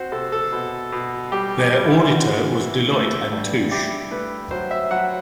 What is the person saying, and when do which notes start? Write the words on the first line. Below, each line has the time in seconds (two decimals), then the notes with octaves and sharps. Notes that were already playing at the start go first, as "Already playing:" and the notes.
Their auditor was Deloitte and Touche.
Already playing: C4 F#4 C5
0.12 C3 A4
0.32 A4
0.52 B2
0.92 B2
1.32 G3 G4
1.59 G4
1.72 G3
1.86 E4
2.12 E3 F#4
2.51 E3
2.92 A3
3.32 G2
3.71 E4 G4
4.11 A3 B4
4.51 F#3 C5
4.71 E5
4.91 F#3 F#5